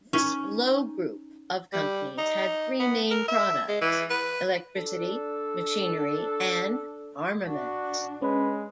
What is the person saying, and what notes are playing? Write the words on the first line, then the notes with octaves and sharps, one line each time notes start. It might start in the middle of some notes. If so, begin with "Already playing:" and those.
This 'Loewe Group' of companies had three main products: electricity, machinery, and armaments.
C#4 D#4
G3
D#4
B3
A#4
E5
G#3
E3
B4
D4 A4
D4 F#4
G#3 C#4 B4